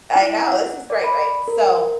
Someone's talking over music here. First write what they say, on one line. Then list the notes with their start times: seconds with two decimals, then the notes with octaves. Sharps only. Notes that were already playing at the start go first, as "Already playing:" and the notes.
I know, this is great, right? So,
0.16 E4
0.43 F#5
0.90 D5
1.04 B5
1.48 A#4